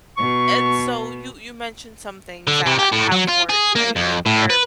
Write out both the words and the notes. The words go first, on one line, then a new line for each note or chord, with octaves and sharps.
and so you, you mentioned some things that have worked, right, when or
B2 C#6
D3
C3
G4
A2
F#3
F4
G#4
A#3
F2
A2
B4